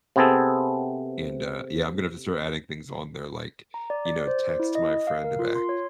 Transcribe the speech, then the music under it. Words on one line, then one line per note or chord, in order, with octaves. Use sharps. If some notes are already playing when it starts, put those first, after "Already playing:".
and, uh, yeah, I'm gonna have to start adding things on there, like, you know, text my friend back.
C3 B3 C4 G#4 A4
A#5
D5
D5
C5
D5
E4
D#5
F5
A#4
F4
C6
C#5